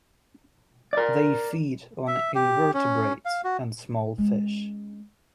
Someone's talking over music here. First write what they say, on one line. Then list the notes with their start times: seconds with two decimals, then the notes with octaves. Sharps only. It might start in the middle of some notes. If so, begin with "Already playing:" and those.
They feed on invertebrates and small fish.
0.93 A#4 D5
2.07 E5
2.35 G4
2.74 C#4
3.25 F5
3.44 F#4
4.18 G#3 C#4